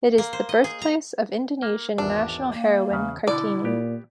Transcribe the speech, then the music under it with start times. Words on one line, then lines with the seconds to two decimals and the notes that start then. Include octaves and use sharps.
It is the birthplace of Indonesian national heroine Kartini.
0.18 A#3
0.33 C5
0.49 D#5
0.64 G#4
0.82 A#5
1.63 A#3
1.98 G#1 E2 D4
2.53 A#3
2.90 E2 C#3
3.27 B2 D3 E4 D5
3.65 A#2 B3 G4